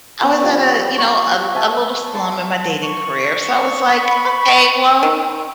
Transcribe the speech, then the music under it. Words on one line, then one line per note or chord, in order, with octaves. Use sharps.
I was at a, you know, a a little slum in my dating career. So I was, like, okay, well,
B3 B4 C#5
F3 G3 G#5 D#6
C#6
E5 G#5 A5
A5 C6
C#6
B5
D#3